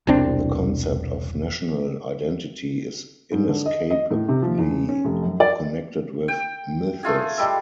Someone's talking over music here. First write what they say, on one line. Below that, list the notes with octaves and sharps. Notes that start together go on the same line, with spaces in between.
The concept of national identity is inescapably connected with myths.
E1 C2 C4 D4
G#2
D3
D#5
D#5
A2
C3
F3
E2
C#4
F1
F#2
D5
G5
A3 F4 G#4
G3 G#3 A4